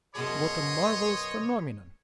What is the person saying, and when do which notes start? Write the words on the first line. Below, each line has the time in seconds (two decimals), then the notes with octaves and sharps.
What a marvellous phenomenon!
0.15 F#2 B2 G#4 C#5 D#5 C6 D#6